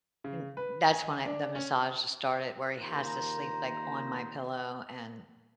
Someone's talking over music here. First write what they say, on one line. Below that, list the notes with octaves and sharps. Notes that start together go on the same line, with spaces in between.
And that's when I the massages started, where he has to sleep like on my pillow and,
C#3
B4
G#5
D4
C#4
D#2 A#2 A#3 C5 A#5